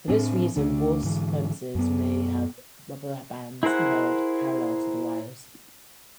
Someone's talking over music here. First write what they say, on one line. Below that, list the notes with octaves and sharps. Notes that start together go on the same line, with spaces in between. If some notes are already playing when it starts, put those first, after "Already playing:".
For this reason horse fences may have rubber bands nailed parallel to the wires.
A2 C4 D4
D2 D3 D4
G#2 D3 E3
F#2 B3
E4 G#4 A#4 C5 F#5